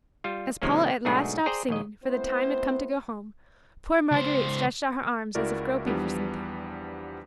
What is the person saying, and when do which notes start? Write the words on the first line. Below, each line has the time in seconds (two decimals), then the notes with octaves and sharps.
As Paula at last stopped singing, for the time had come to go home, poor Marguerite stretched out her arms as if groping for something.
0.24 G3 F4
0.62 C3 D#3 F3 G#3 A#3 C#4
1.05 B1 G#2 A3 D4 F#4 G#4
1.46 G#4 C5 D5 G5 A#5
1.69 A#1 D#2 D#5
2.04 A3 B3 C4 E4 C5
4.11 C#2 C5
5.35 C#2 E4 F#4 A#4 D5
5.85 E2 F3 G3 B3 D4